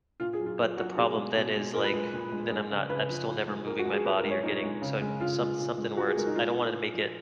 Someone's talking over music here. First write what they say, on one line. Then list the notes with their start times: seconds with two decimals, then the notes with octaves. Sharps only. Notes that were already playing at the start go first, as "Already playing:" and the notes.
but the problem then is, like, then I'm not I'm still never moving my body or getting so some something where it's I don't wanna make it,
0.20 A#2 F4
0.33 G#4
0.40 F#3
0.46 F4
0.58 A#2 F4
0.77 F#3 F#4
0.97 B2 G#4
1.16 G#3
1.36 B2
1.55 G#3
1.74 A#2 A#4
1.84 B4
1.94 G#3
2.13 A#2
2.32 G#3
2.51 G#3
2.70 C#3
2.89 C#3 B4
3.09 F3
3.28 A#2
3.47 G#3
3.67 A#2 A#4
3.79 F#4
3.86 G#3
3.92 G#4
4.05 A#2 B4
4.18 A#4
4.24 G#3
4.31 C#5
4.43 A#2 D#4
4.63 G#3
4.82 C#3
5.01 G#3
5.21 C#3 F4
5.40 G#3
5.60 A#2
5.78 G#3
5.97 A#2 F#4
6.07 G#4
6.17 G#3 A#4
6.27 D#4
6.35 G#3 F4
6.56 A#2
6.75 A#2
6.94 F3